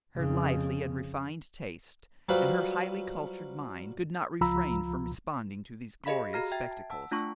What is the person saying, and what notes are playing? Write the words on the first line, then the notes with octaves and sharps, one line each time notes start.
Her lively and refined taste, and her highly cultured mind, could not refrain from responding to these glorious spectacles.
F2 C#3
F#3 G3 F4 B4 C5
C#2 F3 F4 A#5 B5 E6
G4 G#4 D#5 F5 B5 B6
F#4 A#5 F6 A#6
E5 G5 G#6 A6
A5
F#5 A5 E6
A3 D4 F4 F#5 A5 C#6